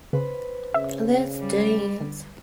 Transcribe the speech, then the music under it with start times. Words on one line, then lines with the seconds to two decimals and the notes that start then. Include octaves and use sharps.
Let's dance.
0.13 C#3 B4 C5
0.74 C#3 E5
1.39 G3
2.01 D3